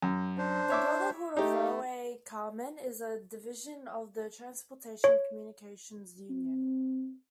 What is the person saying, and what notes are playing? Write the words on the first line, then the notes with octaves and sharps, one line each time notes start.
The Brotherhood of Railway Carmen is a division of the Transportation Communications Union.
F#2
D4 C5
C#5 E5 D6
A3 D#4 G4
C#5
C4